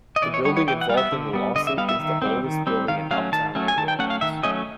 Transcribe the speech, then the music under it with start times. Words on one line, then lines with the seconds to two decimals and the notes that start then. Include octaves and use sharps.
The building involved in the lawsuit is the oldest building in Uptown New Orleans.
0.16 D#5
0.22 E3 D5
0.34 C#5
0.45 G3 C#5
0.49 B3
0.57 C#5
0.68 E3 G5
0.81 F#5
0.89 G3 F5
0.94 B3 E5
1.12 D3
1.33 G3 B3
1.56 D3 D#5
1.67 E5
1.77 G3 B3 F5
1.89 E5
1.99 D#3
2.22 G3 C4
2.44 D#3
2.67 G3 C4
2.88 D#3 F5
3.11 F#3 A3 C#4 F5
3.32 D#3 A5
3.55 F#3 A3 C#4
3.68 G#5
3.77 D#3 A5
3.88 G5
3.99 F#3 A3 C#4 F#5
4.10 F5
4.21 D#3 E5
4.43 F#3 A3 C#4 D#5